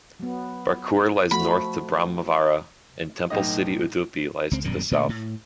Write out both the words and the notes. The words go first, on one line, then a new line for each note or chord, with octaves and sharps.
Barkur lies north to Brahmavara and Temple city Udupi lies to the south.
F#3 B3
F3 A3 F#4 B5
B1 A2 D#5
C#2 C4
D#1 F#2 B2 D3
A#2 D3 A3
A2